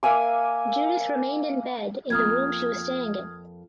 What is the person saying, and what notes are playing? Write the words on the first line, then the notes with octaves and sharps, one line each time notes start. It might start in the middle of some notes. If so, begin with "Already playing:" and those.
Judith remained in bed in the room she was staying in.
A#3 E5 G#5 D6
F2 A#3 D#6 F6 G#6